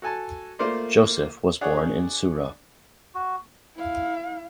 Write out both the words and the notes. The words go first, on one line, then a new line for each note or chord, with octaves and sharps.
Joseph was born in Sura.
F#4 A4 G#5 A5
A3 A#3 F4 C5 D5
D4 G#4 C#5 F#5
F#4
E4 F5